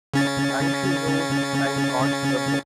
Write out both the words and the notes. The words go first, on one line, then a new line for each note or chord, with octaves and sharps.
And she rose and got the books.
C#3 C#4 A6